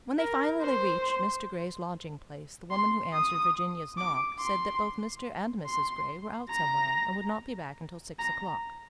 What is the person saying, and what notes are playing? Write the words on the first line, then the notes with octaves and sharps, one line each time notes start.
When they finally reached Mr. Gray's lodging place the woman who answered Virginia's knock said that both Mr. and Mrs. Gray were out somewhere and would not be back until six o'clock.
A#4
C5
C6
D#6
D6
C6
C6
A#5
A#5